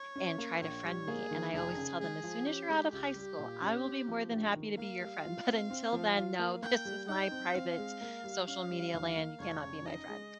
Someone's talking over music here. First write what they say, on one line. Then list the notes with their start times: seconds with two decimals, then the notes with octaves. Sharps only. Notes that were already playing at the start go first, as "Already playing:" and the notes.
and try to friend me, and I always tell them, "As soon as you're out of high school, I will be more than happy to be your friend, but until then, no, this is my private social media land, you cannot be my friend."
Already playing: C#5
0.16 C#4
0.38 A#3
0.61 A#1 C#5
0.85 G3
1.08 A#3 G#4
1.31 D#3
1.54 F1 G#4
1.77 C#3
2.00 G#3 G#4
2.23 F3
2.46 C#4 G4
2.70 G#3
2.93 C#2 G4
3.16 G3
3.39 A#2
3.62 C#4
3.85 C4
4.09 F3
4.31 A#1
4.55 D#3
4.77 A#3 F5
5.01 G3
5.24 F4
5.47 C4
5.70 C4
5.93 F3
6.16 F4
6.39 A#3
6.62 A#3 G5
6.85 G3
7.09 D#4 G5
7.31 C4
7.55 C4 F5
7.78 G#3
8.01 A#3
8.24 G3
8.48 C#4 F5
8.70 G3
8.94 D#2
9.17 A#3
9.40 F1 C#5
9.63 C#3
9.86 D#4 D#5
10.09 G#3